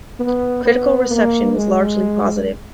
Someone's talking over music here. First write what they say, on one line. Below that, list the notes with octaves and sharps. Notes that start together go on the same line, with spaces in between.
Critical reception was largely positive.
B3
B3
A#3
G#3